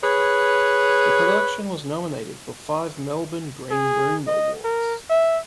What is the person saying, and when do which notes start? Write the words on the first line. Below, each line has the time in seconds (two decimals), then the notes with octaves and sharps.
The production was nominated for five Melbourne Green Room Awards.
0.03 G#4 B4 C#5
3.71 G#4
4.27 D#5
4.64 A#4
5.10 E5